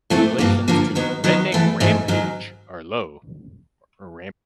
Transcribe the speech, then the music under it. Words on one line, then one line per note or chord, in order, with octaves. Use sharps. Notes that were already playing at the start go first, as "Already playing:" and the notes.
The relations to "Redneck Rampage" are low.
E3 A3 C4 E4
G2 D3 F3 A#3
G2 D3 F3 A#3
D#3 F#3 B3
D#3 F#3 B3
G#2 E3 A3
G#2 E3 A3
G#2 D#3 F#3